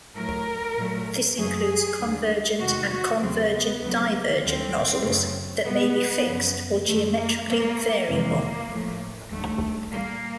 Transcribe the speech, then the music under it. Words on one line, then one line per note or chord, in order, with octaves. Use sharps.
This includes convergent and convergent-divergent nozzles that may be fixed or geometrically variable.
A2 F#3 A3 A#4
A#2 F#3 A3
F#2 C#3 F#3 A3 G#4
D#2 D3 G3
E2 C3 D#3 G#3 F#4
F#4
E2 C#3 F#3 C4
B3
D2 C#3 F#3 A3
D#2 D3 G3 C4
F#2 C#3 F#3 A3
B2 G3 B3
F#2 C#3 F3
F#2 D#3 G#3 A3
A#3
A#2 G3 A#3
F2 C3 E3 G#3 A#3
A2 F3 A3
D#2 D3 G3 A3
A#2 G3 A#3